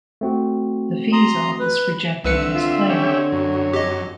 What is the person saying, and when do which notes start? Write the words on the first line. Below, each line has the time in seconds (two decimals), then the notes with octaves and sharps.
The Fees Office rejected his claim.
0.21 A3 C4 F#4
1.12 A#5 C6 D#6
1.60 B4
2.25 C2 D3 C4 B4 E5 C#7
2.55 F4
2.89 C#4 G4 C#5 E5
3.32 F#2
3.73 F2 G4 D#5